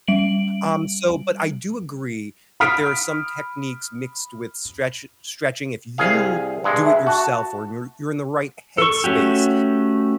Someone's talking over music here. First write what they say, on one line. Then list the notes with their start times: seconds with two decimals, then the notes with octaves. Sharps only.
Um, so, but I do agree that there are some techniques mixed with stretchi stretching. If you do it yourself or you're you're in the right headspace,
0.08 G3 D7 F#7
2.60 B5 D#6 F6 B6 D7
5.98 C2 G#4 F5
6.64 G2 G#3
6.85 E5
7.07 F#4 A5
8.78 A4 C#6
9.04 A3 C#4 F#4 G4